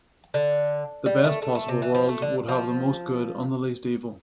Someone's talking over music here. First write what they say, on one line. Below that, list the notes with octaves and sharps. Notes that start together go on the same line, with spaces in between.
The best possible world would have the most good and the least evil.
D3
G3
A3
A3
A3
C3
E3
F3
A3
D3
F3